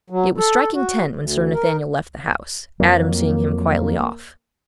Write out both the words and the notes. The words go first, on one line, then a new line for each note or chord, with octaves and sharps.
It was striking ten when Sir Nathaniel left the house, Adam seeing him quietly off.
F#3
A4
F#4
D2
A#4
F2 F#3 A#3